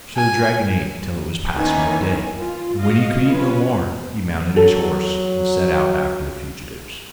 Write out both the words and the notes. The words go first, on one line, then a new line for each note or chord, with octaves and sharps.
So the dragon ate till it was past mid-day, and when he could eat no more he mounted his horse and set out after the fugitives.
G#5
D#3 E3 A#3 B3 C#4 G#5
F4
F#4 D#5 F5
C#4 F4 B4
F#3 A4